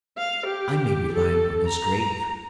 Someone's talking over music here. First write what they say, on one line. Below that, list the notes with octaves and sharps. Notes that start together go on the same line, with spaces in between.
I may be lying on his grave.
F5
G4
A4
A#5